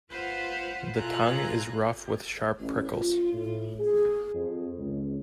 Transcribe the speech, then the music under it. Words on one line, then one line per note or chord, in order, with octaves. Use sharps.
The tongue is rough with sharp prickles.
F4 B4 C5 F5 F#5
B2 F4 A4 G#5 A#5 F#6
A1
F4
A2
G#4
F2
C#2